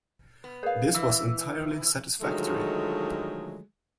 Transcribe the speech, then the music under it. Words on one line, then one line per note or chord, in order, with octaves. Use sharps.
This was entirely satisfactory.
B3
G#4 A#4 B4 F5
E3 E6
D3 D#3 F3 F#3 G#3 A3